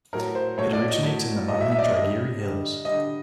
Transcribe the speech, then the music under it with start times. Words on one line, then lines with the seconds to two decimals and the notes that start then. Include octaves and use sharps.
It originates in the Mahendragiri hills.
0.13 A2 F#3 A#4
0.35 C5
0.58 A2 F#3 C#5
0.73 D5
0.89 D#5
1.03 A2 F#3
1.48 A2 F#3 D#5
1.61 E5
1.71 E5
1.78 D5
1.83 D#5
1.94 D3 G3 D#5
2.40 D3 G3
2.85 D3 G3 D#5